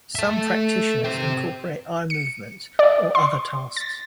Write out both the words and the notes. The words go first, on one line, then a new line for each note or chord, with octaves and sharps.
Some practitioners incorporate eye movements or other tasks.
A4 E5
G4 C5
C#7
D5
C6
A6